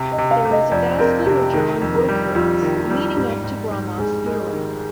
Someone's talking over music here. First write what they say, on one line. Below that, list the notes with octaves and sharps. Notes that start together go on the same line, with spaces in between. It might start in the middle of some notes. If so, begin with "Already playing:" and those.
There is a vast literature on growth rates, leading up to Gromov's theorem.
Already playing: C3
D#5
C3
F5
C3
D#5
F2 D5
C4 A#4
C3 G4
D#3 A#4
F2
A#4
G3
F2 F4
D#3
F4
G3
G#2 G4
G#2
G#2
G#2 G#4
G#3 A#4
D#3